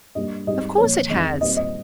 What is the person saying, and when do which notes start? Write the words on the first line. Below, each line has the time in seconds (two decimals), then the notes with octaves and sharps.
"Of course it has."
0.15 G2 G3 A#3 D#5
0.47 G#2 G3 C4 D#5
0.78 A#2 F3 A#3 C#5
1.09 F2 D#3 G#3 D#5
1.41 A#2 G3 C4 D#5
1.57 D#5